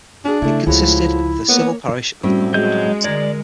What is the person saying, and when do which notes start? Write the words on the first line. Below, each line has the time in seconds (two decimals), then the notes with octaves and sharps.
It consisted of the civil parish of Norwood.
0.25 D4 F#4 G#4
0.42 C#3 A3 E4
0.66 C#2 F3 G#3 E4 F#4 C#5
1.48 A#3 B3 C#5
2.23 A2 G3 C4 C#4 F#4
2.54 F#3 G#3 F#4 G#4 D#5 G6
3.04 D3 A#4 D5 G#6